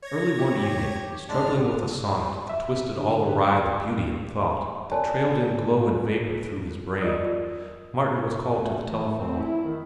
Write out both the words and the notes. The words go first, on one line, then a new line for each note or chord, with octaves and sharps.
Early one evening, struggling with a sonnet that twisted all awry the beauty and thought that trailed in glow and vapor through his brain, Martin was called to the telephone.
C#5 G#6 A#6
G4
A1 G#3 D4 D5 F6
E5
D3
B4
A#4 C#5 D5 G#5 A5
F4 A#4 D5 D#5 D#6 E6
A3
E3
A3
C4
E4
D#3